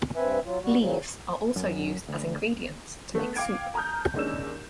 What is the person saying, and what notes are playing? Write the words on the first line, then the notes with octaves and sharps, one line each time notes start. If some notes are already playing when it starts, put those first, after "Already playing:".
Leaves are also used as ingredients to make soup.
G2 C4 B4 E5 G#5
F#3 F4
G3 F#4
A#2 C#3 F3 F#3
F#2
D2
A3 B3
F5 G5 D6 G#6 D7
A5 A#5 D#6 F6 G6
D#2 G#3 C#4 D4 E6 E7